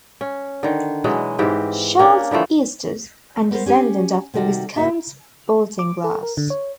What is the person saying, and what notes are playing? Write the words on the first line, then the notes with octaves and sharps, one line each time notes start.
Charles Eustace and descendant of the Viscounts Baltinglass.
C#4
D3 D#3
B2 E3 F#3 G#3
G#2 E3 C4 G4
A#3 C#4 D4
D3 E3 F3 A3
B3 A#4 C5
C#4 G4 C#5 G#5
C3 D#3 G3 F#4 A4
G#2 C#3 A#3 D#4 F#4 E5
D6
A4
A#4
D3
C#5